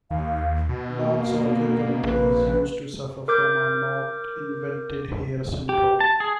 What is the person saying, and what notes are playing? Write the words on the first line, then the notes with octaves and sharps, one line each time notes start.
Large software companies used to suffer from a not invented here syndrome.
D#2 F5
B2 F#4
A#3
B3
A#1 B4
A#4 D6 G6
G4
A5
G#4